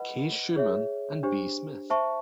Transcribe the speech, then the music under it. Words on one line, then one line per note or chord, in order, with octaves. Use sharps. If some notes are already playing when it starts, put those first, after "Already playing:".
K. Schuhmann and B. Smith.
Already playing: B4 D#5 F#5 B5
G#4 C#5 E5
D4 G4 C5
C5 E5 A5 C#6